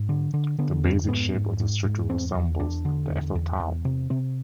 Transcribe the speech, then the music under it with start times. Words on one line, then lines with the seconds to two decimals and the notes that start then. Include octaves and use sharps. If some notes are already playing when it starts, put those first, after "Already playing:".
The basic shape of the structure resembles the Eiffel Tower.
Already playing: G#2
0.09 D3
0.34 D3
0.59 D3 B3
0.84 F2 C4
1.09 G#2 B3
1.35 G#2
1.60 G#2
1.85 G#2
2.09 E2 C4
2.34 E2
2.60 E2 D4
2.85 D3
3.09 E2
3.35 E2
3.60 E2
3.85 C3
4.10 C3 C4